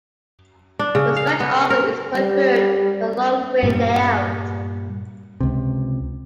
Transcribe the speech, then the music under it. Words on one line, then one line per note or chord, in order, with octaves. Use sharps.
The scratch awl is preferred for long grain layout.
D4
C#3
F5
B3
A#4
G3
G2 A#2 G3
C#2 C3